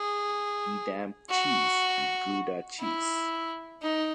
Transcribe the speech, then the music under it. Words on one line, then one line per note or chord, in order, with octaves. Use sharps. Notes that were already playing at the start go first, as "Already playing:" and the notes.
Edam cheese and Gouda cheese.
Already playing: G#4
F#4
E4
D#4